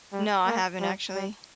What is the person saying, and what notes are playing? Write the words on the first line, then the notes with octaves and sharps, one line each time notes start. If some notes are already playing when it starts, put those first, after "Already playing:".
No, I haven't, actually.
G3
A#3
G3
G3